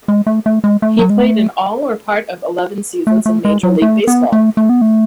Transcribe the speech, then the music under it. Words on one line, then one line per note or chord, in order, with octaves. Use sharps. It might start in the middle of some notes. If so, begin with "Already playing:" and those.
He played in all or part of eleven seasons in Major League Baseball.
G#3
A3
A3
G#3
A3
F#3
G#3
A3
A3
A3
G#3
F#3
A3
B3
A3
A3
B3
A3